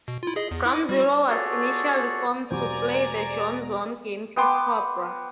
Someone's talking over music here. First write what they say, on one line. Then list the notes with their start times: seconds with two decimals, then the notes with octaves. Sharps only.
Ground-Zero was initially formed to play the John Zorn game piece Cobra.
0.08 B2
0.23 E4 F4
0.36 G#4 D#5
0.51 E2
0.65 E4 D6
0.89 G3 F#4 C#6
1.29 F4 F#4 G#4 A4 C#5 D5
2.51 E1 F#3 G4 C5 D5 G#5 A#5 D6
4.36 B3 G5 C6 D6